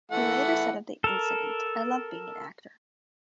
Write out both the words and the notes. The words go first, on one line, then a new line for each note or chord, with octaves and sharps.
He later said of the incident: I love being an actor.
E3 A3 F#5
A4 A#4